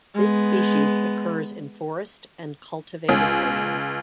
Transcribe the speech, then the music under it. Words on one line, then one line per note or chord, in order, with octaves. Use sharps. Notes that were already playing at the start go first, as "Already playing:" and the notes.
This species occurs in forest and cultivated areas.
G#3 B3
C#2